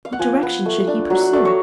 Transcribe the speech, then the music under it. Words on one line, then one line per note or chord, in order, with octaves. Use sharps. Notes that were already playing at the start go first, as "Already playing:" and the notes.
What direction should he pursue?
F5
F#5
F3 G#5
B3
A3
D4
F#3 F#5
F#5
A3 D5
C#5